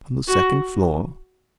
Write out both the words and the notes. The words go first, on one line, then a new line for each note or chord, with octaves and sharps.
"On the second floor?"
F#4